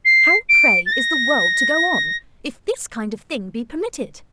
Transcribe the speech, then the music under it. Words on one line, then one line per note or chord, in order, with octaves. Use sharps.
How, pray, is the world to go on, if this kind of thing be permitted!
C7
D7
A6
A#6